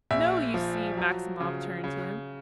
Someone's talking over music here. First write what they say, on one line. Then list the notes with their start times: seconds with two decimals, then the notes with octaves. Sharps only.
"No, you see," Maximov turned to him.
0.11 A#1 E5
0.54 F3
0.97 F#3
1.40 C#3
1.84 C#3